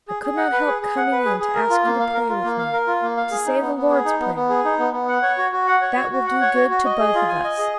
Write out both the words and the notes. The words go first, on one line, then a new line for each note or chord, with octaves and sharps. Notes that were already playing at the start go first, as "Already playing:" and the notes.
I could not help coming in to ask you to pray with me--to say the Lord's Prayer; that will do good to both of us.'
G#4
G#4
F#5
B4
G#4
G#4
F#5
B4
G#4
G#4
A#4
F4
A#3
F5
A#4
F4
A#3
F5
A#4
F4
A#3
F5
G#4
D#4
B3
B3
G#4
D#4
B3
B3
G#4
D#4
B3
B3
F#5
C#5
F#4
F#4
F#5
C#5
F#4
F#4
F#5
C#5
F#4
F#4
D#5
G#4
F4
G#5
D#5
G#4